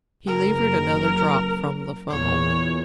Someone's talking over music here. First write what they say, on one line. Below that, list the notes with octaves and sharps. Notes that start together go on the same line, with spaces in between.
He levered another drop from the funnel.
F#1 A#4
E2 A#2 C#5